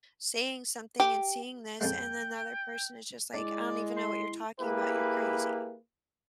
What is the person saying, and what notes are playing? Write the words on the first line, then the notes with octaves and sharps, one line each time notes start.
saying something and seeing this, and then the other person is just like, "I don't even know what you're talking about. You're crazy,"
G4
F2 F3 G#3 G5
G#3 D4 E4 D5
C6
A#3 E4 G4 G#4 B4